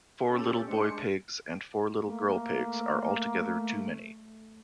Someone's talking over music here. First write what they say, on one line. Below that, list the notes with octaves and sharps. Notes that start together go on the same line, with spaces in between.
Four little boy pigs and four little girl pigs are altogether too many.
C#4 G4 A4
G#3 A3 D4 C5 C#7
A3 A#3